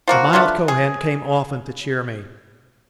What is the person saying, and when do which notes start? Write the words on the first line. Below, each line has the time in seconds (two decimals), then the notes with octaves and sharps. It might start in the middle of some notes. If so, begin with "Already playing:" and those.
The mild Kohen came often to cheer me.
0.08 F3 A#3 F#4
0.33 A3 D4 F4 B4
0.68 G#4